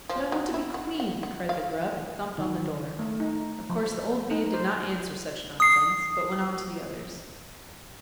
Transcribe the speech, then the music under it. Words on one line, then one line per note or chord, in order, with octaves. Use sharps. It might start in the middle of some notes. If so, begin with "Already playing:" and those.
"But I want to be Queen!" cried the Grub, and thumped on the door. Of course the old Bee did not answer such nonsense, but went on to the others.
F3
F#3
E4
F#5
F#5
F#5
F5
D#3
A3
D#4
F3
D#4
C5
D#6 C7